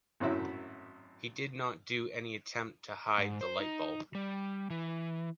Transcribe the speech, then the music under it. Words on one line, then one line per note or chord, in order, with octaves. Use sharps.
He did not do any attempt to hide the light bulb.
G#1 F#2 A2 F#3 E4 E5
G#2
C5
D#4
G3
E3